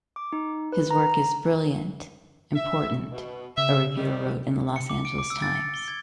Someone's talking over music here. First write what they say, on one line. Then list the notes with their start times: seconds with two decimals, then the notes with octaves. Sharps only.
His work is "brilliant, important" a reviewer wrote in the "Los Angeles Times".
0.16 D6
0.33 D#4
0.72 B4
0.91 A#5
2.56 E5
3.11 B2
3.58 C#3 E5
3.97 D#3 G3
4.76 C#7
4.89 D6
5.05 D7
5.18 D6
5.30 E6
5.42 A6
5.56 C#7
5.74 G7
5.88 G#6